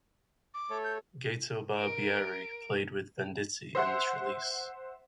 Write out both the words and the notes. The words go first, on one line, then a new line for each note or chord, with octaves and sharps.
Gato Barbieri played with Venditti in this release.
D6
A3 A4 C#5
G6
A#4 D7
C5 E5 F#5 C6